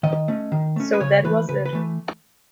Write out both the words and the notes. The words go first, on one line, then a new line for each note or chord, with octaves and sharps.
So that was it.
D#3 D#5
A3 C#4
D#3
A3 C#4
B4
C#3 C#5
E3 A3 B4
C#3 B4
B4
E3 A3